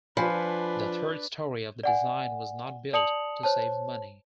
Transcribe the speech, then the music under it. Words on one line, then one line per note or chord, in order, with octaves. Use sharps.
The third story of the design was not built to save money.
F3 D4 B4 G#5 B5
D5 F#5 G#5
D5 A5 D#6 C#7 F7 F#7
C5 C#5 A5